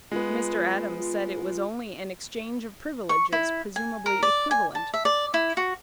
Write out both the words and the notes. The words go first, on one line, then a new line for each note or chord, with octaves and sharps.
Mr. Adams said it was only an exchange of privileges presumably equivalent.
G#3 B3 F4
C#6
E4
G#5
A#4
D5
G#5
A5
E5
D5
E4
F#4